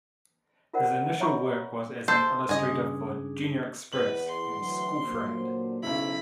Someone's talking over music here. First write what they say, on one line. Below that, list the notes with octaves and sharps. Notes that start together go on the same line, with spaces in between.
His initial work was as an illustrator for "Junior Express" and "School Friend".
F4 F#4 A#4 C5 D5 F#5
C#5 E5 A#5 B5 C#6
A4 C5
G2 C#3 D4 G#4 D#5 G#5
E2 B4 F#7
C6
D2 E3 F#3
A#2 D3 F#3 C5
B1 C#3 E4 B5